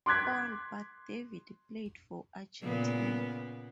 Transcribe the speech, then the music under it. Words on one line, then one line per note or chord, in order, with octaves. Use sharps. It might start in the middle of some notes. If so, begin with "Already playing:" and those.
All but David played for Argentina.
C6 D6 F#6 G#6 B6
A#2 C#3 B3